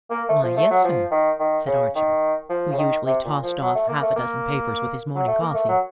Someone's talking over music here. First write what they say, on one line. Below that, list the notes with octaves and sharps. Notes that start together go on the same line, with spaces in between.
"Why, yes, sir," said Archer, who usually tossed off half a dozen papers with his morning coffee.
A#3
A3
F3
A3
F#3
F3
D#3
D#3
C#3
D#3
F3
C#3
D#3
C3
A#2
F3
F#3
A3
A#3
A3
A#3
F#3
A3
A#3
A3
F#3